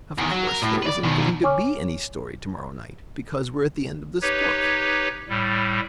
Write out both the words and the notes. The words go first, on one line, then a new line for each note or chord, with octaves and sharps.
Of course there isn't going to be any story to-morrow night, because we're at the end of this book.
E2 D#3
F#3
A#4
A2
B4 D5
B2 D#3
C#5 G#5 C#6 D6 F6
D#4 G4 B4 C#5
A2 G3